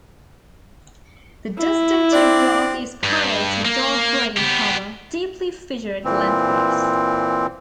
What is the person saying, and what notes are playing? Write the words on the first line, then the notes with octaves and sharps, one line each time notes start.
The distinctive bark is pale to dark grey in colour, deeply fissured lengthwise.
E4
C4 D4 D5
G2
A#3
B3 G4
A#2 E3 C4